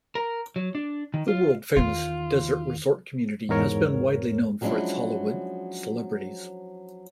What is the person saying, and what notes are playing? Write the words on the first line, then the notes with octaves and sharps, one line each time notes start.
The world-famous desert resort community has been widely known for its Hollywood celebrities.
A#4
F#3
D4
D#3
F4
E2 D#3 F4
E2 G#2 A#4 C#5
F3 F#3 G#3 C#4 D4 E4